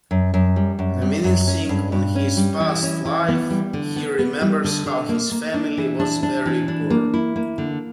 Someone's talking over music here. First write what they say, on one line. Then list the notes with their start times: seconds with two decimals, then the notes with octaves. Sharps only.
Reminiscing on his past life, he remembers how his family was very poor.
0.11 F#2
0.34 F#2
0.56 G3
0.79 F#2
1.02 G3
1.24 F#2
1.47 C#4
1.69 G2
1.92 G2
2.15 C#4
2.37 G3
2.60 E3
2.83 C#4
3.05 E3
3.29 B3
3.51 G3
3.73 D3
3.96 B3
4.19 B3
4.41 G3
4.64 D3
4.86 D3
5.09 A#3
5.32 A#3
5.54 D4
5.77 E3
6.00 D4
6.23 D4
6.46 E3
6.68 D4
6.90 A#3
7.14 E4
7.36 A#3
7.58 D3